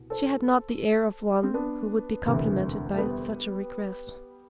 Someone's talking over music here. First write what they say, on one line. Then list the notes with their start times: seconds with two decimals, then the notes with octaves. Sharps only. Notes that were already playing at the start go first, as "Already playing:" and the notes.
She had not the air of one who would be complimented by such a request.
Already playing: C2 B2
0.10 A4 C5
1.43 C4
1.54 B3 D4
2.26 E1 D2 C3 E3
2.94 A3
2.98 G3 B3